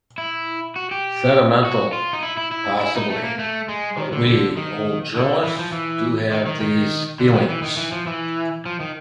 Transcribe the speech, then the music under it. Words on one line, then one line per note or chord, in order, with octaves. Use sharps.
Sentimental, possibly, but we old journalists do have these feelings.
E4
F#4
G4
F#4
F4
D#4
E4
E4
E4
E4
D#4
A3
A#3
A3
G#3
D#3
D3
D3
D#3
D3
E3
F3
E3
D#3
D#3
D#3
D3
D#3
E3
D#3
E3
F3
E3
F3
D#3